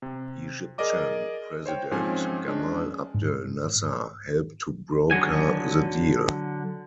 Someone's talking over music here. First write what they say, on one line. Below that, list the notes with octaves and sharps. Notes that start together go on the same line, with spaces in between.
Egyptian president Gamal Abdel Nasser helped to broker the deal.
C3
G#4 A#4 D5 D#5 D6
C5 C#5 G5
G#2 F3 C4 C#4 G#5
G#3 C#4 D4
G#2
D3 F#3 F#4 G#5